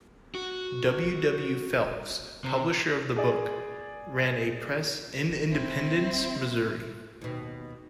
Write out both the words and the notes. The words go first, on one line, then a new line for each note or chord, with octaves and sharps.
W. W. Phelps publisher of the book, ran a press in Independence, Missouri.
F#4
C3
G#4 D5
C4 E4
D#2 B2